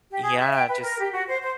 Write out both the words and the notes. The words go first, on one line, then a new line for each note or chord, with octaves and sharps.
Yeah, just
G4
G#4
E5
G5
B4
A#4
G4
F#4
C5
C5